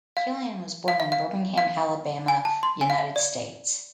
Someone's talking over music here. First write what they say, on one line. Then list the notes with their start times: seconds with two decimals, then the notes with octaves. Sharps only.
Killian was born in Birmingham, Alabama, United States.
0.17 F5
0.88 F5
1.00 E5
1.12 F5
1.58 F5
2.28 G#5
2.45 A5
2.63 C6
2.81 G#5
2.90 F5
2.98 E5
3.16 D5